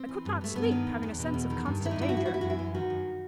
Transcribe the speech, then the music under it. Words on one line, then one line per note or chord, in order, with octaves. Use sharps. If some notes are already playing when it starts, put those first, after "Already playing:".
I could not sleep, having a sense of constant danger . . . .
Already playing: C4
E3
G2
G2 A3
G2 B3
D#3
E2
E2
B2
E2
D#3
G2
D#3 E4
D#4
G2
E4
F#4
E3
E4
E3 F#4
E4
F#2 F#4
E4
E3
D#3 F#4
F#2